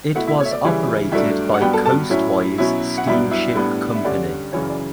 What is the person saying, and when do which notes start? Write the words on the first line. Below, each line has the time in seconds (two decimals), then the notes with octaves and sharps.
It was operated by Coastwise Steam Ship Company.
0.15 B2 A3 E4 F#4 F#5
0.27 E4 E5
0.40 C#5
0.45 E5
0.51 D5
0.64 C#3 E3 G3 C#4 E4
1.12 G2 F#3 A3 D4 E4 E5
1.54 F#5
1.61 G2 F#3 B3 G4 G5
1.73 A4 A5
1.85 A4 A5
2.10 A2 F#3 C#4 E4
2.58 B2 F#3 C#4 E4
2.98 F#5
3.07 G2 F#3 B3 D4 E4 E5
3.31 E4 E5
3.55 A2 G3 B3 D4
3.95 E5
4.05 G2 D3 G3 C#4 D5
4.52 F#2 C#3 E3 C#5
4.69 D5